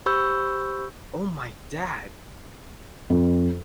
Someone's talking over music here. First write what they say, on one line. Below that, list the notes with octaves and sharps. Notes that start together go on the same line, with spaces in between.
Oh My Dad!
G4 C5 B5 C#6 E6 G6
F2